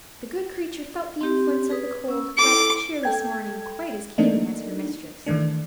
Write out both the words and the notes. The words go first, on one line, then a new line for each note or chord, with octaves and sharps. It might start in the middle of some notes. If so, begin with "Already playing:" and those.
The good creature felt the influence of the cold, wet, cheerless morning quite as keenly as her mistress.
C4 G4
G#4 B4 D#6
C#4 E6
E4 A4 D6
A4 G5 G#6
E3 A3 A#3 D4 D#4
D#3 E3 A3 D4